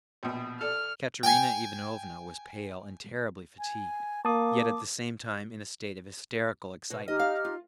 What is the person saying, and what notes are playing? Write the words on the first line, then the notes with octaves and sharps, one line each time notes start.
Katerina Ivanovna was pale and terribly fatigued, yet at the same time in a state of hysterical excitement.
A#1 B2
A4 D5 F6
G5 G#5
G#5
A#3 A5 D6 D#6
B2
D#4 G4 D#5 F6
F5
F4